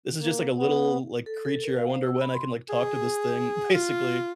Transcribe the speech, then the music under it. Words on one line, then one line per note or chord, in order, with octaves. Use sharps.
"this is just, like, a little, like, creature, I wonder when I can, like, talk to this thing," basically.
A#3
B3
A4
A4
A#4
F5
C5
E6
B5
C6
G#4
F4